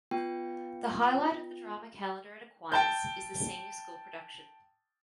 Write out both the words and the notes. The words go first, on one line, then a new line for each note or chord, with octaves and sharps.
The highlight of the Drama calendar at Aquinas is the senior school production.
B3 F4 G5
G5 A5 G6